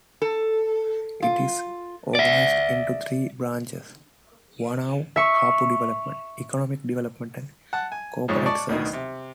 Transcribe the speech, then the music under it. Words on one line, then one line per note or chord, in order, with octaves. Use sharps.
It is organised into three branches: "Whanau Hapu Development", "Economic Development" and "Corporate Services".
A4
F4
D5 E5
E5 C#6
F#5 A5
G#5
F2 G#2 F3 G#3 C#5
D5 A5 C#6
D2 B2 D#3
C3